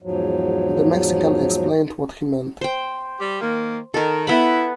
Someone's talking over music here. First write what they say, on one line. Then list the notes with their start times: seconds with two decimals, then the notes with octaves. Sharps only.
The Mexican explained what he meant.
0.02 E2 G#2 F3 F#3
2.61 C5 G5
3.17 G3 G4
3.40 D#3 A#3
3.94 D#3 A4 A#4
4.27 B3 E4 F#5 B5